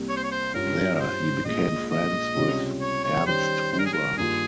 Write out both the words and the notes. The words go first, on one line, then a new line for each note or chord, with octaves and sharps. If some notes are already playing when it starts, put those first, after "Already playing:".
There he became friends with Ernst Huber.
Already playing: C2 C3 G3 A#3
C#5
C5
C#5
C5
G2 G3 C#4 F4 A#4
A#4
C5
A#1 A#2 G#3 D#5
D#5
C#2 C3 G3 C#4 F4
C#5
C#5
D#3 G3 C#4 G4 C5 C#5
C5
A#4
G#4
A#4
G2 D#3 A#3 F4 G#4